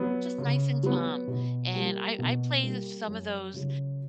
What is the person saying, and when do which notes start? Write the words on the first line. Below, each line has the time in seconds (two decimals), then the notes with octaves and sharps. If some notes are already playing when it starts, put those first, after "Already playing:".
Just nice and calm, and I I play the some of those
Already playing: F#3 B3
0.38 C#3
0.83 F#3 B3
1.28 B2
1.73 G3 A#3
2.19 B2
2.63 G3 A#3
3.08 F#2
3.54 C#3 F#3